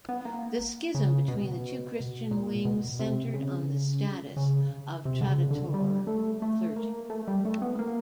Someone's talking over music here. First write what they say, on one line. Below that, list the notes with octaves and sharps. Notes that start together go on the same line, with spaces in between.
The schism between the two Christian wings centered on the status of traditore clergy.
B3
A#3
C#3
B2
A#2
B2
C3
C#3
C#3
C3
D3
C#3
D3
G3
A3
A3
A#3
A3
G3
A3
B3
A#3